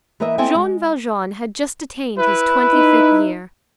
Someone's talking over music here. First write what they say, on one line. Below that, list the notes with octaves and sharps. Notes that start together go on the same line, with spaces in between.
Jean Valjean had just attained his twenty-fifth year.
E3 A#3 B4 D#5 E5
C4 E4 A4 D#5 G5 G#5
G#3
E4 B4
D#4